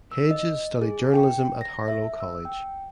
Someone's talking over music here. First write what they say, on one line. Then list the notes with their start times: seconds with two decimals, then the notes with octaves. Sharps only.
Hedges studied journalism at Harlow College.
0.12 E6
0.31 D#5
0.82 G#4
1.14 G5
1.61 A#6
1.88 E5
2.20 E6
2.45 G5